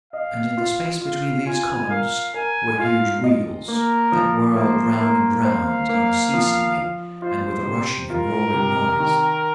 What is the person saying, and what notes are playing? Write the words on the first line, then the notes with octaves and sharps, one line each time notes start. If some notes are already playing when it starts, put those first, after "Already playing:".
And in the space between these columns were huge wheels, that whirled round and round unceasingly, and with a rushing and roaring noise.
D#5 F5
F4
F4 F5
F4 G#5
A#4 F5
A#4 G#5
F4 F5
D#5
A#3 A#4
F3
A#3 C5
A#3
C5 F5
A#3
F3
F3
F4 C5
C3
F4 A#4
C3
D#3